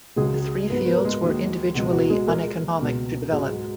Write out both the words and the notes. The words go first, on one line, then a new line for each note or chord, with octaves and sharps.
The three fields were individually uneconomic to develop.
C#2 C#3 F#3 G#3 G#4
G#2 F#3 B3 B4
B3 B4
A#4
G#3 G#4
D#2 D#3 F#3
C#2 B2 F#3 G#3 F#4
F#3 F#4
G#3 G#4
A#2 G#3 A#3 A#4
C#2 B2 F#3
G#2 F#3 G#3 G#4
F#3 F#4